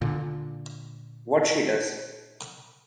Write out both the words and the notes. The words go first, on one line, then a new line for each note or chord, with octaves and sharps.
What she does !
A#2 D3